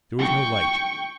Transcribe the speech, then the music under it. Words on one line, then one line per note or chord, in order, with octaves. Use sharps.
There was no light.
G5 C#6